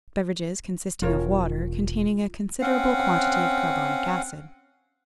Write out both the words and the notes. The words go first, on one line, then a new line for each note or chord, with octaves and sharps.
Beverages, consisting of water, containing a considerable quantity of carbonic acid.
E1 F4 A#4 C#5
C4 C#4 F5 F#5